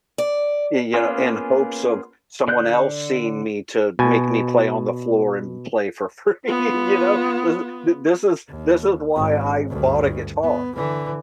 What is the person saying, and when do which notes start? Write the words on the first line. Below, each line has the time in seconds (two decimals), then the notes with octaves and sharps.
y you know, in hopes of someone else seeing me to make me play on the floor and play for free, you know? This is th this is this is why I bought a guitar,
0.18 D5
0.94 A#3 B3 C#4 F4 G#4
2.48 D3 D5 F#6 G6
3.99 B2 G#5
6.45 B3 F4
8.48 D#2
9.15 G#1
9.69 D2 G2
10.43 B3
10.75 D3 E3